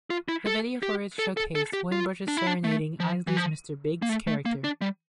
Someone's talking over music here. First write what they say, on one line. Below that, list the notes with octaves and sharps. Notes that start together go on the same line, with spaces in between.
The video for it showcased Winbush serenading Isley's Mr. Biggs character.
F4
E4
A4
G4
A4
A4
A4
G4
F4
D4
E4
D4
A3
F3
E3
F3
A#3
A3
A3
A#3
D4
G3